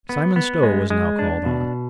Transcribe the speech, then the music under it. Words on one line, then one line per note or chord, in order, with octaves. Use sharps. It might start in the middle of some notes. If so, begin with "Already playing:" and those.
Simon Stow was now called on.
B3
B3
G#3
G#3
D4
B2